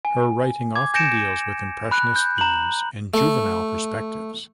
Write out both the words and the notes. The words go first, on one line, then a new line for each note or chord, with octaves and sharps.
Her writing often deals with impressionist themes and juvenile perspectives.
G#5
D6 G#6
G#5 G6 A#6 C#7 D7 E7
B5 F#6
G6
A#5 F#7
A3